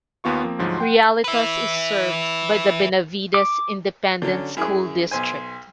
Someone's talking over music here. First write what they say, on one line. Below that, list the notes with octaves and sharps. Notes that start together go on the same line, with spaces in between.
Realitos is served by the Benavides Independent School District.
D#2 B3 F4 C#6
F3 A#3 C4
D2 G#2 F3 F#3
F#5 G5 C6
B4 E5
D6
D3 F#3 C#4
F#2 E4 G#4
B1 C5 G#5